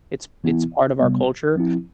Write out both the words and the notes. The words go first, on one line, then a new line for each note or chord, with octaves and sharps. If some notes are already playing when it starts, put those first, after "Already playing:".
It's it's part of our culture.
E3 B3 E4
C3 G3 B3
F3 C4 E4